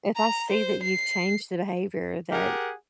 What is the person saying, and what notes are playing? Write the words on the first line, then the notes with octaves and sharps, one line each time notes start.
if I see that you've changed the behavior that
A#5
C5
C7
G4 G#4 A#4 F#5